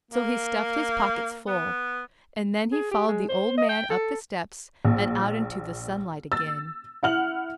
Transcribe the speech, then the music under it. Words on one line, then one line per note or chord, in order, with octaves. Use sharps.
So he stuffed his pockets full, and then he followed the old man up the steps and out into the sunlight again.
A#3
B3
G#4
G4
G#3
C5
D#5
G5
A4
A#1
E6 A6
E4 F#5 F6 F#7